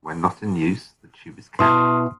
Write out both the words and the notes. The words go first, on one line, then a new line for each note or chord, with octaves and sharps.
When not in use, the tube is capped.
B2 E4 A5 C6 D#6 F6